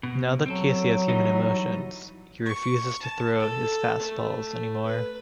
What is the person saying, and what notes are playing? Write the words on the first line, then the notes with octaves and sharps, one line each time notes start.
Now that Casey has human emotions, he refuses to throw his fast balls anymore.
B2
F#3 C4 A4
E3 G3 D#4
C#6
A5
A4
A3
B4